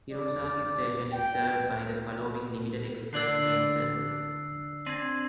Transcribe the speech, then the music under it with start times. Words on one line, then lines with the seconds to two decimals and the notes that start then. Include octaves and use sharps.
Hirosaki Station is served by the following limited express train services.
0.11 D5
1.12 G5
3.13 D3 D4 D5 E6 C7
4.86 C4 D4 G#6 A#6 D#7